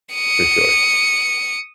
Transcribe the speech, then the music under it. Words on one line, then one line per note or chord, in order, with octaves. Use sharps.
For sure.
D#6 C#7